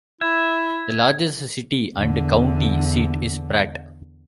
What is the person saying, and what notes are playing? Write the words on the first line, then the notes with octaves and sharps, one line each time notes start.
The largest city and county seat is Pratt.
E4 E5 G#6
E2 D3